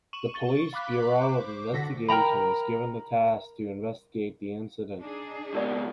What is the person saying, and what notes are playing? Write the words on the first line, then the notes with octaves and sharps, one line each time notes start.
The Police Bureau of Investigation was given the task to investigate the incident.
C#6 D#7 E7 F#7
C#6 A6 G7
F5 B5 D6 F#6 B6
C5 C#6 D6
D3 F#4 A4 F#5 A#6 B6
A#4 G5 A#5 B5
D4 D#4 G#4
C#2 B2 G4 A#4 D5